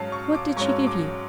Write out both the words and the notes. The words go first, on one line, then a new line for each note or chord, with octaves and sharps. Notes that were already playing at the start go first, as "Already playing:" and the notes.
'What did she give you?'
Already playing: G#2 F#3 C#4 F5 A5
C#6
D6
G#2 F#3 C#4 C#6
D6